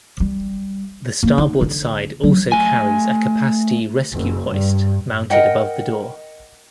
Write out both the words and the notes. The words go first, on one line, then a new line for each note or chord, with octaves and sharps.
The starboard side also carries a capacity rescue hoist mounted above the door.
G3
A#3
D#4
D3
F#3
A3 G#5
F#1
G2
A#4 D#5 F#5 G5